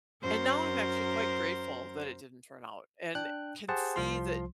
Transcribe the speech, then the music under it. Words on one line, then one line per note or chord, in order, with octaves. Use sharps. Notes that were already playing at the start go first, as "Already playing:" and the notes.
and now I'm actually quite grateful that it didn't turn out, and can see that
F#2 A#4 C5
D4 G5 F#6
G4 G#4 C5 F#5 A5
C2 F3 C6